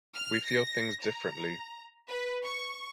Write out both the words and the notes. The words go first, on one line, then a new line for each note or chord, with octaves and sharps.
We feel things differently.
F6
A#6
A#5
B4
C#6